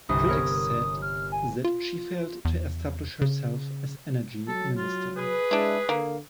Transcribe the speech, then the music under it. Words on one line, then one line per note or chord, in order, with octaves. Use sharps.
Critics said that she failed to establish herself as energy minister.
G1 C2 D#6
B3 A#4 C#5
F6
G#5
F4
E2
C#3
F#3 A4
F4
G#4 B4
G#3 D4 E4
D3 A#3